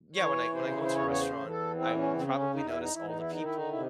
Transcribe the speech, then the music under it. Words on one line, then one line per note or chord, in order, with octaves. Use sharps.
yeah, when I when I go into a restaurant, I will probably notice all the people.
E3 C#5
C#3 C5
C5
E2 C#5
C#5
C5
E2
A4
E3 C4
C#4
C#3 C4
C4
C#4
E2 D#4
E4
D#4
E2 E4
D#4
E4
D#3 D#4
E4
D#4
C3 E4